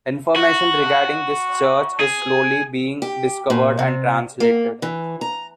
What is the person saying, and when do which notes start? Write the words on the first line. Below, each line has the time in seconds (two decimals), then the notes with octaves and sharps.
Information regarding this church is slowly being 'discovered' and translated.
0.36 F#4
2.00 G#4
3.02 G4
3.50 A#2
3.79 C3
4.40 A#3
4.82 E3
5.21 A#5